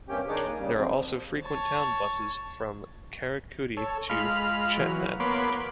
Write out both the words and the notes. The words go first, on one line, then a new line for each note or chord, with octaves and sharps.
There are also frequent town buses from Karaikudi to Chettinad.
G2 C3 A#3 C#4 G4 G5
D#3 D4 D#4 G#4 C#5 D6
A#3
C#3 G3
F2 F3 C4
C#5 A5
A4 C#5
G#3 F4 B5 F6
E3 F#3
A#3 B3 C#5 B5 C6 D6